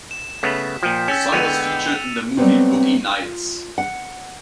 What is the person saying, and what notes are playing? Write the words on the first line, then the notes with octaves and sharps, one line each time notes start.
The song was featured in the movie "Boogie Nights".
E7
C#3 A3 B3 B6
A#2 F3 G5
C#4 E6 A6 E7
D3 G#3 B3 C#7 D#7 F7
F#3 G3 A3 B3 C4 F4
F4
F#5